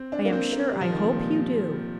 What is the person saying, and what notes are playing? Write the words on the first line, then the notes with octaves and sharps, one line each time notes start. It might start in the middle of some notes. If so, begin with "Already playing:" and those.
I am sure I hope you do.
Already playing: C4
D4
A#3
C4
A#3
G3
F3
D#3
C3
A#2